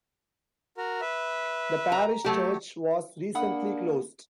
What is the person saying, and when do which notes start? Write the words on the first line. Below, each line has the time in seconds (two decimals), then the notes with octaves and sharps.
The parish church was recently closed.
0.77 F#4 A#4
1.01 B4 E5
1.92 A#5
2.24 F#3 A3 G4
3.35 A#3 D4 F#5 B5 D#6